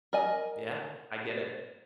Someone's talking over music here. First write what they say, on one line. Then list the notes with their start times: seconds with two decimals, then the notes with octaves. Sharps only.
Yeah, I get it.
0.13 A#4 D5 D#5 G#5